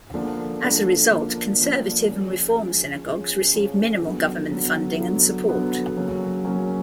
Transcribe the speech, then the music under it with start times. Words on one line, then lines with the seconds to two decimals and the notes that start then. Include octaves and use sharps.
As a result, Conservative and Reform synagogues receive minimal government funding and support.
0.14 D3 F3 A#3 D4
0.63 D3 F3 A#3 D4
1.11 D3 F3 A#3 D4
1.59 D3 F3 A#3 D4
2.08 F3 G#3 C#4
2.57 F3 G#3 C#4
3.05 F3 G#3 C#4
3.54 F3 G#3 C#4
4.02 D3 F#3 B3
4.51 D3 F#3 B3
4.99 D3 F#3 B3
5.48 D3 F#3 B3
5.97 C#3 F#3 A#3 C#4
6.45 C#3 F#3 A#3 C#4